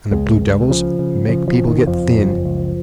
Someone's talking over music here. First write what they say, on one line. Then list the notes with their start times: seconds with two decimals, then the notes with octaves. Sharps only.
And the blue devils make people get thin.
0.11 C#2 G#3
0.41 C#2
0.69 C#3 F3
0.99 C#3
1.28 C#3 F3
1.48 F3
1.58 F#1
1.68 D#3
1.87 F2 F3
2.17 F#1
2.45 C#2